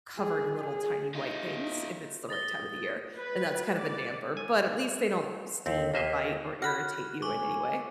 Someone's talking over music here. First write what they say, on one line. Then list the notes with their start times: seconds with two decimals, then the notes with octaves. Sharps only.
covered in little, tiny white things, if it's the right time of the year, and that's kind of a damper, but at least they don't sting or bite or irritate you in any way.
0.16 G#4
0.61 G#4
1.15 D#4 F4
2.29 D#6 A6 A#6 G7
3.16 B4
3.78 D5
4.37 G#5
5.66 D#2 C4
5.94 D#2 A#3 C5 D#5 E5
6.62 F#4 B5 F6 F#6
7.22 G#5 C#6 D6